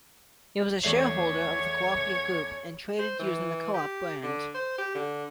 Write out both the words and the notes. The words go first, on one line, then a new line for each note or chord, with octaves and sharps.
It was a shareholder of the Co-operative Group and traded using the "Co-op" brand.
E2 A3 C#5 C7
C5
E3
G4
D3
C5
G4
D3